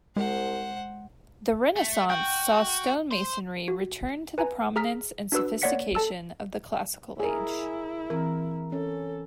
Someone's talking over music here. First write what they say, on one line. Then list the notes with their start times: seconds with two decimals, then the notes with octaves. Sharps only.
The Renaissance saw stonemasonry return to the prominence and sophistication of the Classical age.
0.16 C2 G#3 C5 F#5
1.76 A3
2.10 F#4 G5
3.11 C5
3.68 F#4
4.38 B4 G#5 A#5
4.76 G#4 A#5 F6 B6
5.32 D4 F#4 B4 E6
5.62 A#3 C#5 D5 F#5 B6 C#7
5.95 A4 A5 E6
7.20 E4 G#4 A#4
8.10 E3 C4 A#4
8.72 C#4 A4